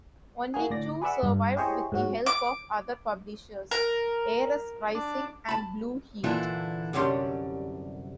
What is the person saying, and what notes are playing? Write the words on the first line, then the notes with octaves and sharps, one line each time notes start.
Only two survived with the help of other publishers: "Ares Rising" and "Blue Heat".
A#3 F#4 G#4
A2 D3 D5 A#6
G#4 B4 D5 E5 F#5
G2
E4 G4 G#4 C5 C#5 D#5
G#2 F#3 F#4
D6
A#4
D4
A5 B5
A#2 D3 E3 D4 E4 F4
C2 F#2 D3 G3 C#4 C6